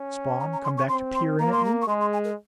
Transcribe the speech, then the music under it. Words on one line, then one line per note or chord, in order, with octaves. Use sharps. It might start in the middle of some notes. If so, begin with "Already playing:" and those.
Spawn, come back to peer in at me?
Already playing: C#4
A#5
A#5
C6
C#6
C4 C6
C6
A#3 A#5
C6
A#5
C#6
G#3 C6
C6
G#5
A#4